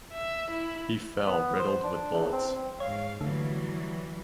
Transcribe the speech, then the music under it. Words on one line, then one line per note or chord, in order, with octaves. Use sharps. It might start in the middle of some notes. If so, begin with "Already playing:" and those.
He fell riddled with bullets.
E5
E4
B3
C5
D4
E2
C4
G#2 C#5 F5
D3 E3 F#3 G3 A3